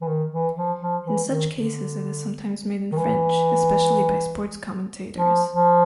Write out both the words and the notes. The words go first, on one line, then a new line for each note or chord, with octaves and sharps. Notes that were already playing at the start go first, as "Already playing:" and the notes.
In such cases, it is sometimes made in French, especially by sports commentators.
E3
D#3
E3
F3
F3
E3
D#3
D3
D#3
E3
F3
F3